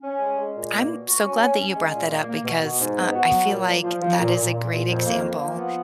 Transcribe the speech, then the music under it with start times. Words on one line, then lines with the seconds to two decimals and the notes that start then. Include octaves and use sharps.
I'm so glad that you brought that up because, uh, I feel like that is a great example,
0.01 C#4
0.19 G#3
0.36 G#3
0.54 A#2
0.71 A#3
0.87 B2
1.05 F#4
1.23 C#4
1.40 C#4
1.58 C#4
1.75 G#3
1.92 A#2
2.09 A#3
2.28 A#3
2.44 B2
2.61 B2
2.80 G#2
2.96 B3
3.14 F#4
3.32 F#3
3.48 A#2
3.66 A#2
3.84 F3
4.00 F3
4.18 A#2
4.36 A#2
4.53 A#2
4.71 A#2
4.88 F2
5.06 A#3
5.23 A#3
5.40 F3
5.57 B3